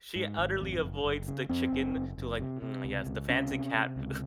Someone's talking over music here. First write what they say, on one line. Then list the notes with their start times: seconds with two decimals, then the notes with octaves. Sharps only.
she utterly avoids the chicken to, like, "Hmm, yes, the fancy cat food."
0.16 G#2
0.38 G#1
0.61 F2
0.83 F#1
1.05 F#1
1.28 C#3
1.49 F2 C4
1.73 F#1
1.95 F#1
2.18 F#1
2.40 C3
2.62 C3
2.84 C#2
3.07 C#2
3.29 C3 C#4
3.52 C3
3.74 C3
3.96 C#2